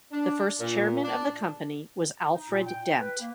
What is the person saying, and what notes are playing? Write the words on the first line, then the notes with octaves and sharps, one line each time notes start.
The first chairman of the company was Alfred Dent.
D4
A#2
D4
D#4
A#2
G5
B4
A#3